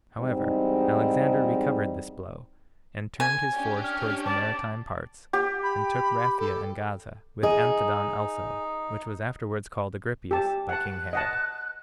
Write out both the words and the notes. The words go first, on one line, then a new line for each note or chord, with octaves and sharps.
However, Alexander recovered this blow, and turned his force towards the maritime parts, and took Raphia and Gaza, with Anthedon also, which was afterwards called Agrippias by king Herod.
E2 G#2 G3 C4 D#4
G#5
C#4 D4 G4
F6
D5 A5
G4
B5
A4
D#4 G#4 D#5
G4 A5
F#5 A5 F#6
D#5 F#5 A5